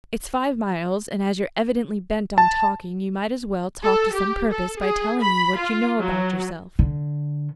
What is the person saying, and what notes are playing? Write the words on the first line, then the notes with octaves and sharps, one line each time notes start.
"It's five miles; and as you're evidently bent on talking you might as well talk to some purpose by telling me what you know about yourself."
A5
A4
G4
A4
G#4
B5
F4
F#3
D3